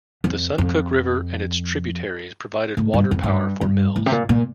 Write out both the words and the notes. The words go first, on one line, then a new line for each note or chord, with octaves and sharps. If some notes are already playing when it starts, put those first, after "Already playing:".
The Suncook River and its tributaries provided water power for mills.
F2
F2
A2
G2
F2
A2
G2
G2
A2
C3
A#2
A#2